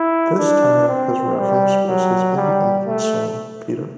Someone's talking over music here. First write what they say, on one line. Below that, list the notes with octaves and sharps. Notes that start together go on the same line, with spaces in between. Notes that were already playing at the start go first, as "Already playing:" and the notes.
This time his reference was his own infant son, Peter.
Already playing: E4
D4
C4
G3
F#3
G3
A3